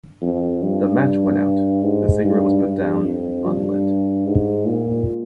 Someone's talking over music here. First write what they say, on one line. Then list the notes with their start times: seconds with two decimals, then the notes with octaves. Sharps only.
The match went out, the cigarette was put down unlit.
0.22 F2
0.62 G2
1.83 G#2
2.24 G2
2.65 G2
3.05 F2
3.46 G2
4.27 G#2
4.67 A#2